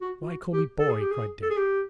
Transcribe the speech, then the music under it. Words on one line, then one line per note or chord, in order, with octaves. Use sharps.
"Why call me 'boy'?" cried Dick.
F#4
F4
F#4
G4
A4
G#4
G4
G#4
A4
G#4
G4